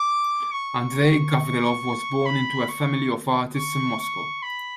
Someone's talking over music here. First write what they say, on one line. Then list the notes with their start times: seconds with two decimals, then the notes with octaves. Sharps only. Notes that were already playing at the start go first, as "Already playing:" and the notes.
Andrei Gavrilov was born into a family of artists in Moscow.
Already playing: D6
0.52 C#6
2.26 B5
2.69 C#6
3.56 C#6
4.00 C#6
4.43 B5